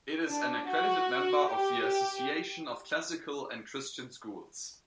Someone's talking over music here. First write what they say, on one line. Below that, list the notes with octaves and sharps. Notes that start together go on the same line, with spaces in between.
It is an accredited member of the Association of Classical and Christian Schools.
D4
F#4
G4